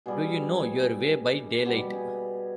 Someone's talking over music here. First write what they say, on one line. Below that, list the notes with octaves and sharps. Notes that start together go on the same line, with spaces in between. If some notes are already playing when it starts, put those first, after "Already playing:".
Do you know your way by daylight?
B2 G3 G#4
B2 G3 G4
G#4